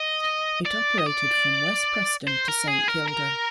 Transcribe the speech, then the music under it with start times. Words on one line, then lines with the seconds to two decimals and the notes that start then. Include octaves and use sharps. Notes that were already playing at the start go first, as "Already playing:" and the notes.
It operated from West Preston to Saint Kilda.
Already playing: D#5
0.66 D5
0.98 D#5
1.06 D5
2.27 C5
2.48 A#4
2.67 G#4
2.88 A#4
3.08 A#4